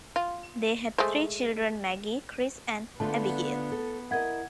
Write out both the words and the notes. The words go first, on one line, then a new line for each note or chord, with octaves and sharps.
They had three children Maggie, Chris, and Abigail.
F4
G#3 A3 C5
D3 A3 B3 F4 A5
A4
E4 A#4 D#5 F#5 G#6